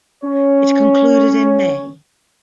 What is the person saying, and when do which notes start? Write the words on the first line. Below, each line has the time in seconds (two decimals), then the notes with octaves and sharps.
It concluded in May.
0.24 C#4 C#5